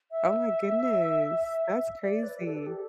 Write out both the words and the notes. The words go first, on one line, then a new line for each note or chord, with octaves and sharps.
Oh my goodness. That's crazy.
E5
D5
B4
G4
A4
A4
G4